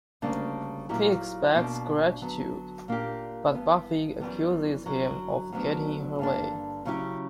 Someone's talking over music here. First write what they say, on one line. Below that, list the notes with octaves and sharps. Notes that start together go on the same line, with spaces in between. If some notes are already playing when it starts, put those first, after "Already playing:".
He expects gratitude, but Buffy accuses him of getting in her way.
D2 C#3 G3 A#3 D4
A#2 F#3 A#3 E4 G4
B2 A#3 D4
D3 F#3 B3
A#2 A#3 D4 G4
G2 E3 B3
F#2 E3 G3 B3
F#2 D3 F#3
D2 D3 F#3 B3 D4
G2 D3 A#3 D4
C#3 F#3 C#4 E4 G4